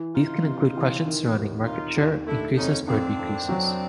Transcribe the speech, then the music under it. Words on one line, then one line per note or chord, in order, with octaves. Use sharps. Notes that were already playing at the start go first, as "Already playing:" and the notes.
These can include questions surrounding market share increases or decreases.
Already playing: E3
E3 D#4 F4
C3
E3
D#3
D#2
D#3 D#4 F4
D#2
A3 D4 E4
F2 C#4 D#4
F2 C4 D4
F2
F#3